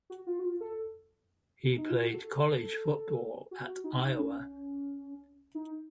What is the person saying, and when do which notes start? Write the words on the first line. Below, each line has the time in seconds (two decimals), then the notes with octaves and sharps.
He played college football at Iowa.
0.10 F#4
0.27 F4
0.39 F#4
0.44 F4
0.61 A4
1.77 D#4
1.89 F4
2.02 F#4
2.14 A4
3.51 F#4
3.67 F#4
3.84 D#4
4.02 D#4
4.19 C#4
5.55 D#4